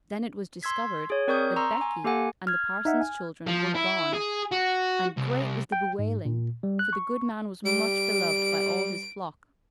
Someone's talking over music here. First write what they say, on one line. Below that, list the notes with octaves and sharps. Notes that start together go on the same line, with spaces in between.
Then it was discovered that Becky and the parson's children were gone, and great was the bewailing, for the good man was much beloved by all his flock.
C6 E6 G#6 B6
G#4 C#5
C4 A#4 D5 C#6 D#6 G6
A#5 C6 C#6 E6
G#5
A#3 G4 A4 F#5 G#5
F6 G#6
D#4 E5 F#5
G#5
F3
E4
G#4
F#4
C2
G5
G#2
A#2
G3
F#6
C#6
G3 D7